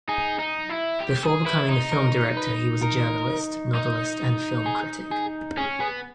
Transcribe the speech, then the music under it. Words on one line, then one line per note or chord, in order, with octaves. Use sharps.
Before becoming a film director he was a journalist, novelist and film critic.
D#4 G#4
D#4
E4
G4
G#4
E4 B4
D#4
A#4
B4
A#4
D#4
G#4
G#4
C#4 G#4
B3 G#4